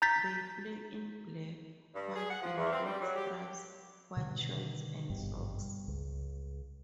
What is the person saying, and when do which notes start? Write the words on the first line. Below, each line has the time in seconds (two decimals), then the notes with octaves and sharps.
They play in black, white and red stripes, white shorts and socks.
0.02 A#5 G6 A6 B6
1.94 G2
2.14 G#4
2.30 F#5
2.42 F3
2.57 E2
2.72 C4
2.86 G3
3.01 F#3
3.16 G4
4.17 B2 D3 D#3 G3
5.10 G#1 G2 B2 G3
5.88 C#2